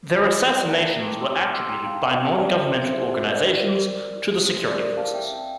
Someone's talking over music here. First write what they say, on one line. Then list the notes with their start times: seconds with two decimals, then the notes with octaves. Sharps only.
Their assassinations were attributed by non-governmental organisations to the security forces.
0.22 C4 E4 G4
0.55 A3 A#4 D5
0.66 A#5
0.71 F5 A5
0.87 E4 A4 G5 A#5
1.03 A#5 D6
1.20 D4 C6 E6
1.36 D6 F6
1.53 G4 C6 E6
1.69 G5 A#5
1.86 C4 F5 A5
2.02 F5 A5
2.18 G4 E5 G5
2.35 D5 F5
2.51 C4 C5
2.84 E4 A4 C5 E5
3.16 D4 E5
3.29 D5
3.41 C5
3.50 G4 A#4 D5
3.82 C4
4.15 E4 G4
4.47 A3 C5
4.65 A#4 D5
4.81 E4 G4 A#4 D5
4.97 F5 A5
5.13 C4 E5 G5